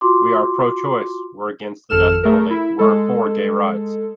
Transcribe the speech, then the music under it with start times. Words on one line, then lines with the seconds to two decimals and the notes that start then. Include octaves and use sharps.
We are pro-choice; we're against the death penalty; we're for gay rights.
0.01 F4 F#4 C6 D6
1.90 G#1 F2 A4 F6 E7
2.23 A3 G#4 A#4
2.51 E4
2.79 G#3 A4